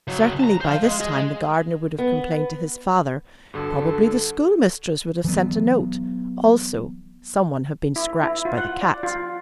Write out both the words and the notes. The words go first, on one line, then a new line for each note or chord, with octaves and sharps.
Certainly by this time the gardener would have complained to his father, probably the schoolmistress would have sent a note. Also--someone had been scratched by the cat.
C#3 F#3
A5 A#5
C5 F5
G#3
G#4 D#5
B3
G2 D3 F#4 A4
E3 F#3 B3
E4
E4
F4
F#5
D5
F4